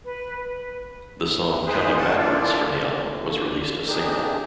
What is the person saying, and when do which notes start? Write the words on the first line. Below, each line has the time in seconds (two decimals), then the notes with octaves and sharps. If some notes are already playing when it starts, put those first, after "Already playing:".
The song "Counting Backwards" from the album was released a single.
0.05 B4
0.38 B4
1.65 D#3 E3 G#3 G#4 B4 C5
1.97 C#4 F5 F#5 A5
2.18 E3 A#3 D4 F4 A4 D5
2.64 D#2 D3
3.87 C4 D4 D#4 G4 G#4